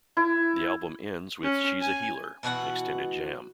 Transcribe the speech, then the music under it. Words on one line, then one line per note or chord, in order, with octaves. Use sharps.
The album ends with "She's a Healer", an extended jam.
E4
C#4
G#5
B2 E3 F#4 F#5